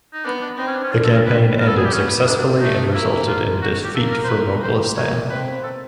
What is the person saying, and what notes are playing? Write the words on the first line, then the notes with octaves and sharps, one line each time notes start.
The campaign ended successfully and resulted in defeat for Moghulistan.
D#4
B3 D4
D4
C4 D#4
C#4
D4
C#4
D4 F4
A4
A#4
C4 B4
B3 A#4
A4
G#4
G4
B3 C#4
A#3 D4
D4
A3 D#4
A#3 E4
F4
F#4
F#4
G4
A#3 A4
A#4
C5
B4
C5
A#3 C#5
C4 B4
A4